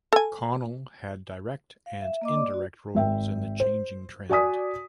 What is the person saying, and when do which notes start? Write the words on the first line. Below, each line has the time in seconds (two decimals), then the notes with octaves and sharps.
Khanal had direct and indirect roles in the changing trend.
0.13 A4 G#5
1.86 F5
2.01 E5
2.21 A#3 D#5 D6
2.35 D5
2.50 F#4 D5
2.95 G#1 E5 G5
3.60 C5
4.29 F#4 D5 G#5 D#6 B6